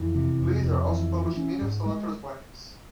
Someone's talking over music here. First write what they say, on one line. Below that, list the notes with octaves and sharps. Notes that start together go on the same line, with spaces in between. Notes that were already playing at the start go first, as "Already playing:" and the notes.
Blazer also published many of Salanter's writings.
Already playing: F2 E3
C3
F2
F2
E3
F3
C#4
G#2
G#3